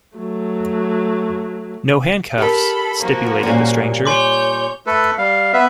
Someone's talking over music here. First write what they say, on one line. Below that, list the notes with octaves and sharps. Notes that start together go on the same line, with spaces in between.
"No handcuffs," stipulated the stranger.
F#3 A3
G4 A4 A#4 B5
F3 A#3 F#4
A#2 G3 C#4
C#5 G#5 C6 D6 G6
A3 A4 B4
G3 F5
B3 B4 E5